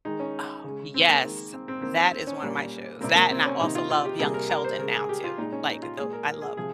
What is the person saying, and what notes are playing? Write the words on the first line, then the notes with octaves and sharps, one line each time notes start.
Oh, yes. That is one of my shows, that and I also love Young Sheldon now too, like, though I love
D#3 G#3 D#4
C#4
C#3
G#3
C4
A#3
D#3 G#3
C4
C4
D#3 A#3 C4
C4
C#4
A#2 G3 A#3
C3 G3 A#3 C4
A#3
C4
C#4
C3 D#3 A#3 D#4
F4
F4
G4
C3 G3 A#3 G#4
A#4
A#4
C5
C#3 G#3 A#4
G#4
G4
F4
A#2 G#3 D#4
C#4
D#4
F4
A#2 G#3 G#4
A#4
A#4
G#4
C3 F3 G#4